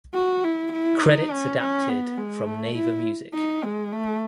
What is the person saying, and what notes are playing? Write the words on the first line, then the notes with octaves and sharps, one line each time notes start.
Credits adapted from Naver Music.
F#4
E4
E4
D#4
C#4
C#4
B3
G#3
A3
E4
D#4
G#3
A3